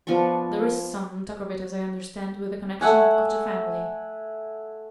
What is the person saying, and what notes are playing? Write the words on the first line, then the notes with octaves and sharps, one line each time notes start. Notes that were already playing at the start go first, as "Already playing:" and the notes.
'There is some talk of it, as I understand, with a connection of the family.'
F3 B3 D4 C#6
A3 E5 F#5 G#5